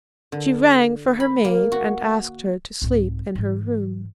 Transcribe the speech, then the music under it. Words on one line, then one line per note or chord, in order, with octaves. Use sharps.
She rang for her maid and asked her to sleep in her room.
D3
B5
A#3
F#4
C2 G#2
G#2 E3